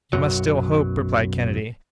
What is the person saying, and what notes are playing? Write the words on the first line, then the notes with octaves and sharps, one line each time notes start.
"You must still hope," replied Kennedy.
B1 F#2 F#3